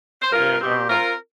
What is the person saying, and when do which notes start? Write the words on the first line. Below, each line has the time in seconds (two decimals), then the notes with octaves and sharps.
and, um,
0.22 C5
0.31 G2 F4 A#4
0.60 C4 G4
0.89 C4 F4 A#4